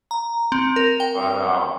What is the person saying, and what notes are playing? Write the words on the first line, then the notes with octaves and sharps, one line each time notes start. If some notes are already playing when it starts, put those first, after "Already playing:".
But, um
A#5
C4
A#4
G5